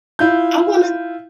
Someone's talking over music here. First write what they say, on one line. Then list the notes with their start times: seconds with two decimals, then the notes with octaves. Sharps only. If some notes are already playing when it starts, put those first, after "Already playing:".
I wanna
0.19 E4 F4 G6